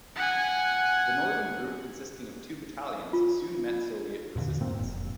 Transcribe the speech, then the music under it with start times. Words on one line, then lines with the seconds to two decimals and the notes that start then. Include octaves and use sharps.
The northern group consisting of two battalions soon met Soviet resistance.
0.16 F#5 G#5
3.13 F4
4.36 E2 A#2 D3 E3
4.60 G#2 A#3 C4
4.78 F1